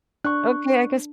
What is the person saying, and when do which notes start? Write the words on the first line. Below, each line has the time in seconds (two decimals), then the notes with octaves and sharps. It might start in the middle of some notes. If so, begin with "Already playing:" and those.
Okay, I guess
0.25 D4 C#6 F#6